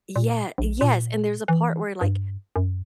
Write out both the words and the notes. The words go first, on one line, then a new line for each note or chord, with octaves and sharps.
Yeah, yes, and there's a part where, like,
A#2
A#1
A#2
E3
G2
F#2